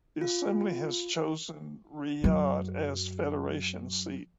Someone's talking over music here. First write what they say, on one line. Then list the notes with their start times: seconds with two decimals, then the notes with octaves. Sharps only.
The assembly has chosen Riyadh as federation seat.
0.21 F4
2.24 F#2 F#3